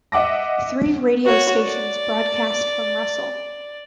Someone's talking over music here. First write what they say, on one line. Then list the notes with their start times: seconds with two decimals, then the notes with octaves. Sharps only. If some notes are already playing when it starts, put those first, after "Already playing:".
Three radio stations broadcast from Russell.
0.12 D#5 E5 F#5 D6 A#6
1.25 F#4 C#5
1.62 D5